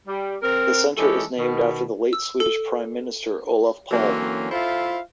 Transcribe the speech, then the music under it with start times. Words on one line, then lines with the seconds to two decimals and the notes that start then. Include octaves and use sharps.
The center is named after the late Swedish Prime Minister Olof Palme.
0.07 G3
0.42 C4 A#4
0.97 E3 G#3 C#4 G4 A4
1.38 B2 D#3
2.13 E6
2.40 A4
3.91 D3 E3 F#3 A#3 C4 C#4
4.52 E4 F4 A4 C5 E5 F5